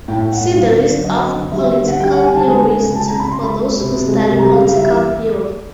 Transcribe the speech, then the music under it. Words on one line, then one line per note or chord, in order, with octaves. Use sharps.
See the list of political theorists for those who study political theory.
A2 G5
A2
F#5
A2
F#3 F5
D3
D3
F#3 D#5
F#3
D3
G3 E5
G3 E5
D3 F#5
G3 G5
G3 F#5
G#5
D3 A5
G#3 G#5
G#3
C#3
G#3 A5
C#3 A#5
B5
C#3 C6
G#3 B5
G#3
C3
C3
G#3
C3
G3 A#5
F5
C#3
F5
G3 E5
E3 E5